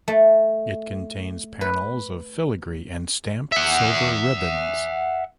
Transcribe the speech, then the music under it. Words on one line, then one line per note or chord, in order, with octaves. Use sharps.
It contains panels of filigree and stamped silver ribbons.
A3
B4
E5 F#5